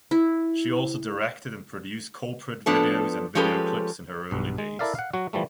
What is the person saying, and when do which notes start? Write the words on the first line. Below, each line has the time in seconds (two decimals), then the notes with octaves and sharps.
She also directed and produced corporate videos and video clips in her early days.
0.11 E4
2.66 F3 B3 D4 A4
3.35 F3 G#3 C#4 G4 A4 B4
4.31 B1 G2
4.58 G#3
4.79 E4 A4 A#4 D5 E5 F5
4.95 F5 F#5
5.13 F#3 F#4
5.33 E3 F3 G3 A3